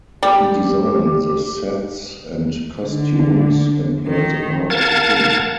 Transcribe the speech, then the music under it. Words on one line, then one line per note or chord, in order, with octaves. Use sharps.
He designed the sets and costumes, and played the part of the King.
G3 G4
D3
D#3
A#4 F5 F#5 A5 G#6 A6